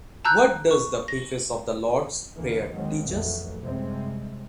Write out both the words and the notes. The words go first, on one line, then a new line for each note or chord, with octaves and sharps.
What does the preface of the Lord’s Prayer teach us?
A5 A#5 E6 F#6 G6
C#6
A#6
D2 D3 E3 A#3
D#2 D#3 F#3 G#3 C4
A#1 F2 A2 E3 F#3 A3
F#2 C3 G3 G#3 C4